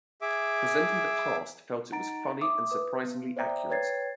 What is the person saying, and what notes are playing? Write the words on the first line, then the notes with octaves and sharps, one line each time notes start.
Presenting the Past felt it was "funny and surprisingly accurate".
G#4 E5 D6
D#4 F#5 A#5 A6 D7
E5 D6 D#6
B4 D#6
B3
C5 D5 E5 G5 A#5 D#6
B4 C#5 G5 G#6 A6 C7